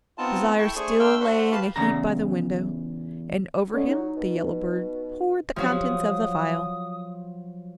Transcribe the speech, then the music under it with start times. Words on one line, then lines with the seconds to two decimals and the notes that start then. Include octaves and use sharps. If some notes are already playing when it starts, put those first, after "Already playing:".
Desire still lay in a heap by the window, and over him the yellow bird poured the contents of the phial.
0.18 B3 C4 D#4 F4 A5
0.58 E4 A4 G5 A5 C#6
0.76 A3 D4 G#4 C5 G#5 C#6
1.00 A3 D4 G5 C6 E6 F6
1.20 D4 F#4 C5 E5 F#5 C6
1.52 G4 B4 F5 A5
1.76 E2 C#3 A#5
3.74 D3 C#4 C#5 D#5
3.88 F#3 D#4
4.17 B2
5.56 F3 F#3 F#4 D#6